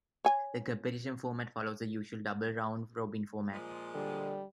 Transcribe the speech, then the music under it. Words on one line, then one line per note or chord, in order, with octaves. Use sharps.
The competition format follows the usual double round-robin format.
C#5 G#5
A#2 F3 G#3
D3 G3